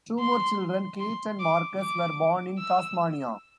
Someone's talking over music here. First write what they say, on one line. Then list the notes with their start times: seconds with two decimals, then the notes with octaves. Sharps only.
Two more children, Kate and Marcus, were born in Tasmania.
0.20 C6
1.00 C6
1.40 D6
1.80 D6
2.59 E6